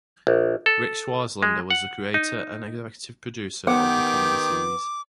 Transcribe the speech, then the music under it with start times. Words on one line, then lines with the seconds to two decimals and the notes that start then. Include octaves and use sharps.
Ric Swartzlander was the creator and executive producer of the comedy series.
0.27 A#1
0.66 A4
1.43 G#3
1.70 F#5
2.14 D#4
3.67 D#3 B3 G4 F#5 D6